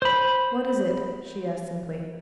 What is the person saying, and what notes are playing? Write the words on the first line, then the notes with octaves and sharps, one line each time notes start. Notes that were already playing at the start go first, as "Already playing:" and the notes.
"What is it?" she asked simply.
C5 B5